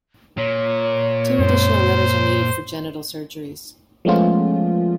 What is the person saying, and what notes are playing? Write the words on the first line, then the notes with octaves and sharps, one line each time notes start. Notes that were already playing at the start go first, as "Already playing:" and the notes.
Two additional letters are needed for genital surgeries.
A#2 C#5
F#2 G#3 C4 C5
F3 G#3 A3 B3 C#4 F4